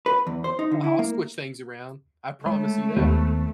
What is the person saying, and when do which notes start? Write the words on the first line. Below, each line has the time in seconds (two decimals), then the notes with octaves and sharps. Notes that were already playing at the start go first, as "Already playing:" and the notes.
Oh, I'll switch things around, I promise you that.
0.06 B4
0.27 E2
0.44 C5
0.59 D#4
0.71 D3
0.84 E4
0.99 A#3
2.46 G#3 A3
2.96 D#2 D#3 B3 C5